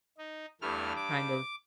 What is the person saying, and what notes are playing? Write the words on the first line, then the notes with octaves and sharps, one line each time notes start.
kind of
D#4
E2 G2 A3 F6
D6